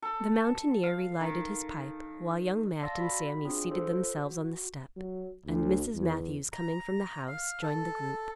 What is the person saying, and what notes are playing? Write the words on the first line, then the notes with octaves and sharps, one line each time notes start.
The mountaineer relighted his pipe, while Young Matt and Sammy seated themselves on the step, and Mrs. Matthews coming from the house joined the group.
A4
F5
D#3
D5 F5 A5 C6 E6 A#6
F#4 B5 B6
C4 D4 F4 G#4
F4 A4 C5
F#4
F#3
D2
E2
A#5
F5
A4